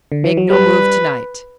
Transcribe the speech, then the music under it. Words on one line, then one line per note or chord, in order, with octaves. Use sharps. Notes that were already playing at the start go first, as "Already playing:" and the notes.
Make no move to-night.
D3
E3
F#3
G3 B4